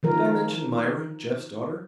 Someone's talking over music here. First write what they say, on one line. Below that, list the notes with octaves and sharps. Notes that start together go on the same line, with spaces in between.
Did I mention Myra, Jeff's daughter?
D#3 F3 A#4